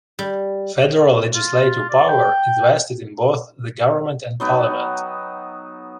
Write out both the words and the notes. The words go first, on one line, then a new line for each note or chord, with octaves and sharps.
Federal legislative power is vested in both the government and parliament.
G3
F4
D5
G5
F#3 B3 D#4 G5